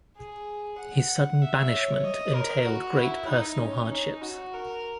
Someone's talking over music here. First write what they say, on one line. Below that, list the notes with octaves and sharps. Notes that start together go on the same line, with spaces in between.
His sudden banishment entailed great personal hardships.
G#4
F#5
E5
C#5
D#5
A#4
F#4
E4
D#4
C#4
D#4
F#4
A#4